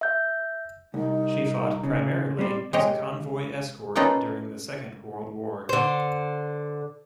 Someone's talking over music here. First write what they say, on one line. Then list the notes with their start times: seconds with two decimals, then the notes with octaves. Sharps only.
She fought primarily as a convoy escort during the Second World War.
0.01 E5 G6
0.94 C2 D#4
1.84 C#3
2.39 G3 C4 D5
2.73 G#3 G4 C#5 D#5
3.96 A#3 C#4 D#4 F4 A4 B4
5.69 D3 C5